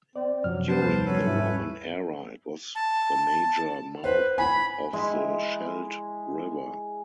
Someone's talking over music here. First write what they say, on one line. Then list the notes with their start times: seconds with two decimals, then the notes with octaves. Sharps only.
During the Roman Era it was the major mouth of the Scheldt River.
0.16 C4 D5
0.44 F#2 C3 F3 F#3 F6
0.68 B3 C5 A5
0.82 D#2 G3 F6
1.05 F#3 C#4 A4 B4
1.26 G#2 E4
2.75 A5
4.04 B4 C5
4.38 G#5 B5
4.93 G#3 E4